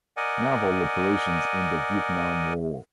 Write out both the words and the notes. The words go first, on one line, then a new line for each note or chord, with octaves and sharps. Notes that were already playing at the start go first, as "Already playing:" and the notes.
Naval operations in the Vietnam War.
A#4 D5 D#5 F#5 G#5